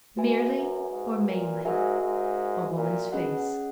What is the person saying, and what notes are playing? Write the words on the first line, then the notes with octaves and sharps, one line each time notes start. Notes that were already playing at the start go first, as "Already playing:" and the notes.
Merely, or mainly, a woman's face.
G#2 F#4 B4 E5 G#5
F#2
G#2
A#2
G#2 F#4 A#4 E5 G#5
G#2
A#2
B2 C#4 G#4 D#5 F#5